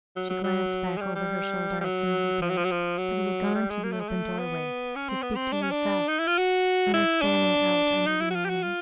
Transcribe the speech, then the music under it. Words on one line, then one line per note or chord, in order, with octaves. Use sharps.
She glanced back over her shoulder at Saint Hubert, but he had gone to the open doorway to speak to Yusef, and was standing out under the awning.
F#3
F#3
F#3
G#3
G3
G3
G3
F#3
F3
F#3
F3
F#3
F3
F#3
G3
G#3
A#3
A3
G#3
A3
B3
C#4
C4
B3
C4
D4
C#4
D4
D#4
E4
F4
F#4
E4
D4
D#4
E4
F#4
F4
G4
F#4
F4